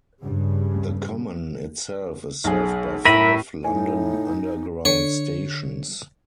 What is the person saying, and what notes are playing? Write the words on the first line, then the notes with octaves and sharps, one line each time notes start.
The common itself is served by five London Underground stations.
G2 C#3
B1 G#4
A2 A#4 E5 B5 D#7
A2 D#4 G#5
D3 C#5